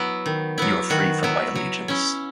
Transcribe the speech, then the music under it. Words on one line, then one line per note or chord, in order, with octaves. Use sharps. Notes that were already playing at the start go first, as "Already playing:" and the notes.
You are free from my allegiance.
Already playing: F#3 B3 E4
D#3
F#3 B3 E4
D#3 F#4
F#3 B3 E4
F#3
C#4 E4